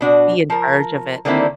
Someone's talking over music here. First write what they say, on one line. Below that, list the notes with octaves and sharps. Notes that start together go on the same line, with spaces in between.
be in charge of it.
B2 D4 F#4
F3 A#4
D3 D#3 G3 A#3 C4 E4